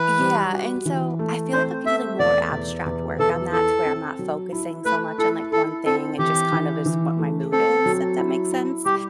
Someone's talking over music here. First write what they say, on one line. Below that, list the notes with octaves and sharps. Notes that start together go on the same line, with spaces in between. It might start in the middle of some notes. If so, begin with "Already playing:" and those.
yeah, and, so, I feel like I could do like more abstract work on that to where I'm not focusing so much on, like, one thing. It just kind of is what my mood is, if that makes sense,
Already playing: E3 B4
G3
F#4
E3
A3
C4 C5
A3 E5
E2 D5
E2
E2
E2 A4
E4 A4
C4
F#3
E4
A3 B4
E4 A4
E4 A4
C4 A4
E3 G4
E3
E3
A3
C4 A4
F#3
E4
E4
G3 G4